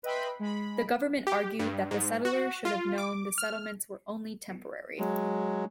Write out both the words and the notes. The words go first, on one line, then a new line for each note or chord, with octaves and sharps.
The government argued that the settlers should have known the settlements were only temporary.
B4 D#5 E5 G5 B5 C6
G#3 B5
G4
G2
G#2
F#4
F4
D6
F6
F#3 G#3